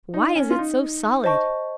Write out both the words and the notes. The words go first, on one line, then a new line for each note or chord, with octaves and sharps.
Why is it so solid?
D#4
C#4
F4
D#4
C5 D#5 A5 C#6